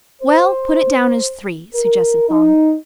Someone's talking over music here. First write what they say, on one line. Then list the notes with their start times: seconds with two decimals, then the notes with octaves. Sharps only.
"Well, put it down as three," suggested Thong.
0.22 C5
1.74 A#4
2.29 D#4